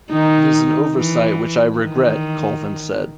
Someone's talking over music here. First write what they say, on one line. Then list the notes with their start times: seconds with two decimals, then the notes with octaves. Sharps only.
It is an oversight which I regret, Colvin said.
0.12 D#3 D#4
0.95 E3
1.79 D#3